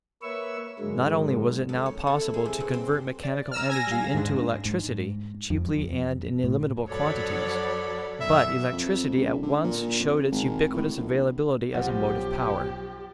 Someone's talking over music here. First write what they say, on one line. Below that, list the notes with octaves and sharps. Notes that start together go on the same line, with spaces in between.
Not only was it now possible to convert mechanical energy into electricity cheaply and in illimitable quantities, but electricity at once showed its ubiquitous availability as a motive power.
A#3 B4 C#5 E5 C#6 E6
G#2 D3 F#3 G#3 A#3
F2
C#5
A4
E4
G#3
C3
G2
C4
D5
A#5 E6 F6
G#5 A#6
G3 F5
D#2 G#2 G#3 D4
G#2
F2
F2
A2
F#2 F3 F#3 A4 C#5 D5 F#5 B5
F#2 B2 D#3 E5
F2
C#2
D3
A#2
F2
G#1
A2
A#1
B1 F#2 F3 G4 F#5